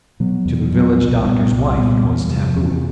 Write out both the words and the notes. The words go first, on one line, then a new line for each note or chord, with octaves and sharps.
To the village doctor's wife it was taboo.
B2 F#3 B3
E2
B2 F#3 B3
C2
A#2 G3 B3
C2
A#2 G3 B3
E2
C3 F3
E2